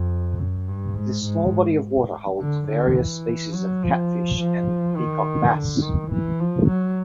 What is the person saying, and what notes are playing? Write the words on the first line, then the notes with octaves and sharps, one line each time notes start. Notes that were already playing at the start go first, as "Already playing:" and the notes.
This small body of water holds various species of catfish, and peacock bass.
Already playing: F2
F#2
G2
G#2
G#2
D3
D3
E3
F#3
F3
F3
D#3
D3
D#3
E3
F3
F#3